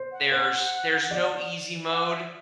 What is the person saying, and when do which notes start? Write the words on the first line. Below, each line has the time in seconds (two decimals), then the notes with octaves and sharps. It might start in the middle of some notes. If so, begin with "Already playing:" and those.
There's there's no easy mode.
Already playing: C5
0.12 F#5
0.31 C5 F#5
1.11 D5
1.91 F#5
2.10 E5